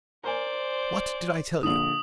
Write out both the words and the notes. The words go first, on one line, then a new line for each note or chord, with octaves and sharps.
"What did I tell you?"
A#4 C5 D5 G#5
A#1 D3 D#6 F#7